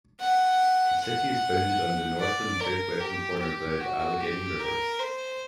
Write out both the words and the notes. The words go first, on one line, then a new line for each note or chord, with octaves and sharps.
The city is bounded on the north and southwestern corner by the Allegheny River.
F#5
F#5
D5
A#4
G4
G4
F#4
G4
A#4
C5